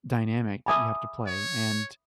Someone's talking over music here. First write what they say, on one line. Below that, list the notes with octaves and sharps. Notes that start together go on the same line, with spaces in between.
dynamic that you have to play, and
E5 G#5 A5 B5 D6 D#6
C#5